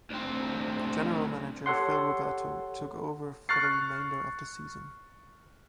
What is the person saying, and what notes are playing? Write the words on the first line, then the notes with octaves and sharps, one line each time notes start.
General manager Phil Roberto took over for the remainder of the season.
D2 C4
G4 A4 C#5 F#5 C6
C#6 F6 F#6 A6 C7